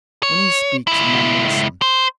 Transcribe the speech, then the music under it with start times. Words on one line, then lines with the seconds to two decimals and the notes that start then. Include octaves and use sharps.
When he speaks, men listen.
0.23 C#5
0.87 C#2 E4
1.82 C5